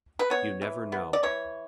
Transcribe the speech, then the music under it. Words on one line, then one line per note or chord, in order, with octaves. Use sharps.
You never know.
B4
B3 C#5
E3
B3
D5
E3 C#5